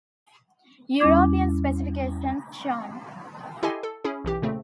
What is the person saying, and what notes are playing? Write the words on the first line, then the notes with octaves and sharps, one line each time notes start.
European specifications shown.
E2 G3 C#4 E4 D6 G#6
E4 G4 A4 D#5 G#5 C6
A4
C#4 E4 G#4
B1 E3 G4
A#2 C#3 A3 C4